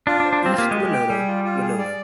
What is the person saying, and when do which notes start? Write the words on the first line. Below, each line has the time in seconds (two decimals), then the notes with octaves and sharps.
East Winona - Winona.
0.07 D4 F4
0.20 D4
0.25 C5
0.33 D4
0.42 C4 F4
0.54 C4
0.58 A#3 G4
0.71 G#3
0.76 G4
0.85 G#3
0.93 G5
1.10 G3 G#4
1.27 F4
1.44 F4
1.61 G#4
1.79 D5